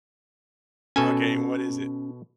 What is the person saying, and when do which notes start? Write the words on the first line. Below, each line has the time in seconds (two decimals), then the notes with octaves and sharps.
Okay, and what is it?
0.96 B2 C#4 A4 G#5